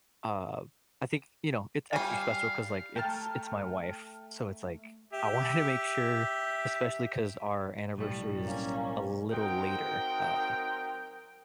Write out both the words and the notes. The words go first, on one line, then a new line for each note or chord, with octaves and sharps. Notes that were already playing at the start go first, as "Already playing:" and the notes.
uh, I think, you know, it's extra special 'cause, like, it's it's my wife, so it's like, I wanted to make sure especially 'cause our anniversary is a little later, uh,
G3 F5 G#5
A3 G5 A5 A#5 F6
G4 E5
B1 A2 G3
A#3 C#4
F#3 C4 D#4 A#4 G5